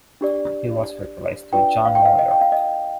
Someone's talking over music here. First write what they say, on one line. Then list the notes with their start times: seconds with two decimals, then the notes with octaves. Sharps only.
He was replaced with John Moyer.
0.21 D4 G4 D5
1.53 D4 F4 B4 D5 G5
1.85 F5
1.95 G5
2.05 F5
2.19 D#5
2.31 G5
2.41 F5
2.52 D#5